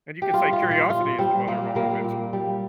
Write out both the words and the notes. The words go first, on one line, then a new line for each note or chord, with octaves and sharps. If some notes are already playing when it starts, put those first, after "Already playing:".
And you can say curiosity is the mother of all invention.
G4
G3 F4
F4
A#2
F4
A#2 F4
G3 C4
A#2 A#3
G3 A#3
A#2
G3